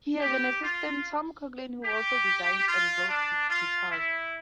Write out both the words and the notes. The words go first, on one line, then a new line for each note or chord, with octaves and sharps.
He has an assistant, Tom Coughlin, who also designs and builds guitars.
G4
F4
G4
F4
D4
F4
E4